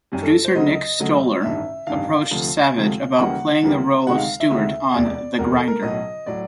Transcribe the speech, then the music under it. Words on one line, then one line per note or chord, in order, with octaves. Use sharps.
Producer Nick Stoller approached Savage about playing the role of Stewart on "The Grinder".
F#2 D#3 G3
A4
C5
D2 C#3 F#3 A3 D#5
D2 C#3 F#3 A3
A1 G2 D#3 E5
A1 G2 D#3 F5
D2 C3 F3 A3
D2 C3 F3 A3
D#2 C#3 E3 G3 A#3 F#5
D#2 C#3 E3 G3 A#3
D2 C3 D#3 G#3 F#5
F5
E5
D2 C3 D#3 G#3 E5
E1 E2 C3 D5
E1 E2 C3 A#4
A4
A#4
B1 A2 F#3 D#5
A2 F#3 D5